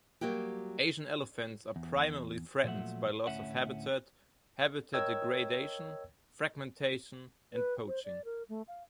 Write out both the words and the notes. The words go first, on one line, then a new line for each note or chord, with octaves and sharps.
Asian elephants are primarily threatened by loss of habitat, habitat degradation, fragmentation and poaching.
F#3 G3 A#3 F#4 G4
E2
A#2 F3 F#3 A3 E5 F#5
D2 A2 C#4 E5 F#5
A#4 C#5 D#5 G5 E6 G#6
B4
C5
D5
A#4
A3
F5